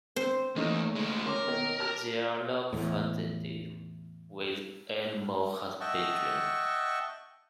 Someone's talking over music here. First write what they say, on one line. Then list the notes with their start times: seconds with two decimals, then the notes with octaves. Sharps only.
There are large fazendas with animal husbandry.
0.16 C4 C5
0.56 E2 A3 A#3 C#4 D#4
0.96 D2 G#3
1.26 C#4 A#4 C6 D6
1.47 B2 D#3 A#3
1.79 G4 A5 F6
2.73 E2 A2
5.80 D#5 E5 F#5 G5 A5 C#6